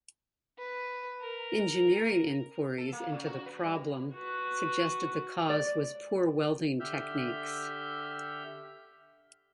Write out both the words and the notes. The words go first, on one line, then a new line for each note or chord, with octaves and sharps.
Engineering inquiries into the problem suggested the cause was poor welding techniques.
B4
A#4
A4
A#3
C#3
F#4
B4
G3
F#4 B4
D5
D3 G4 E5 E6 F6 G6